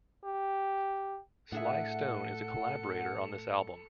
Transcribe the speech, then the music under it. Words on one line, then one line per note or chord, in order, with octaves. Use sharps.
Sly Stone is a collaborator on this album.
G4
A2 D4 G#4 A4 E5 F#5 C#7